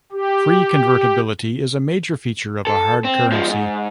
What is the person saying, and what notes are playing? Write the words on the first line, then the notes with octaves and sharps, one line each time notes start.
Free convertibility is a major feature of a hard currency.
G4
A4
C4
F3 G#3
G#2